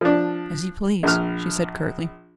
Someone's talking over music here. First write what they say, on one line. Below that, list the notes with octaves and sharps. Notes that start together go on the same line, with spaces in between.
"As you please," she said curtly.
F3 D4
A#1 F6